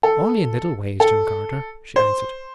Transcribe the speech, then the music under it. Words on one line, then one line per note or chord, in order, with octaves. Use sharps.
"Only in little ways, John Carter," she answered.
A4
A4
C5